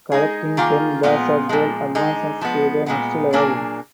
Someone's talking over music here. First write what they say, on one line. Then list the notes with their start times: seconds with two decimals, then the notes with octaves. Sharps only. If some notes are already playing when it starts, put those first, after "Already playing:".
Collecting ten bars of gold advances to the next level.
0.12 G#3 D#4 G#4
0.57 D#3 A#3 F4 G#4
1.03 A#2 F3 G#3 B3 F4
1.49 A#2 F3 G#3
1.95 D3 G#3 D#4
2.41 F3 G#3 B3
2.86 A#2 G#3 B3
3.33 A#2 F#3 A#3 D4 G#4